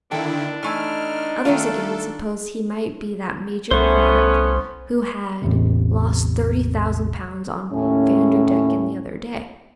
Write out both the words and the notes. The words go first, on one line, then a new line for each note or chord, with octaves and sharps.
Others, again, supposed he might be that Major Craddock who had lost thirty thousand pounds on Vanderdecken the other day.
D3 D#3 A#3 D4 E4 A4 G5
E3 A3 D#4 G#5 F6
D#3 A3 F4 A4
C2 A3 B3 C#4 C5 C#6
A1 E2 C3
D#2 A2 C#4